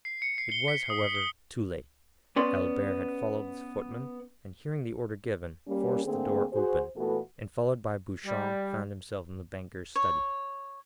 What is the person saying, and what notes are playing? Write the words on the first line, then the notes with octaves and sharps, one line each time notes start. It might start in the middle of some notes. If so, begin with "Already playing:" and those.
It was, however, too late; Albert had followed the footman, and, hearing the order given, forced the door open, and followed by Beauchamp found himself in the banker's study.
C7
C#7
C7
G7
B6
D#6
G7
B3 C#4 D5 C6
G3 A#3 C#4
D3 A3 A#3 C4 G#4
F#4 G#4 C5
A#2 E3 A3 B3 F#4 A4
G3
C#5